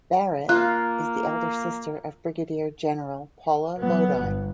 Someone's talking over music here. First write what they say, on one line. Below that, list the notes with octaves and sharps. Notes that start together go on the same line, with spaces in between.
Barrett is the elder sister of Brigadier General Paula Lodi.
A#3 F4 F#6
F#3 B3
G1